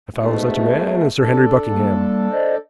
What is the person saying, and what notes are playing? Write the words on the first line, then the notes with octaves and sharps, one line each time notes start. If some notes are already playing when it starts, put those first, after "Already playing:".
I found such a man in Sir Henry Buckingham.
G#2 B2 A3
D4 A4
G3 A#3
C5 D5 D#5